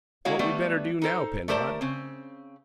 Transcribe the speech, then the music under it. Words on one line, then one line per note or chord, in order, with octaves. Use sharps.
"What we better do now, Penrod?"
G#3 E4 F#4 C#5 F5
G3 A3 B3
D#4 A4 C5
A3 G4 A#4 C5 D5 A5
C#3 C4